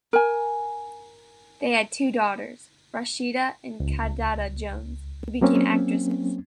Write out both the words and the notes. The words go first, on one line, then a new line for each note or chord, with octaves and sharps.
They had two daughters, Rashida and Kidada Jones, who became actresses.
A#4 G#5
C#2
F#3 A#3 C4 C#4